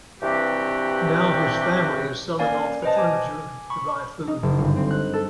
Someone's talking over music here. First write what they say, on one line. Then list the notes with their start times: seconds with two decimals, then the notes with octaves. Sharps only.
Now his family is selling off the furniture to buy food.
0.22 G2 C3 E3 C4 F#4 G4
2.39 A#3 C#4 A#4 D5 F5 G#5
2.82 B4 C5 D#5 A5
2.97 G#5 D6
3.70 B5 C#6
4.27 D#4
4.43 F#1
4.58 G1
4.76 C4
4.91 F#6
5.13 A4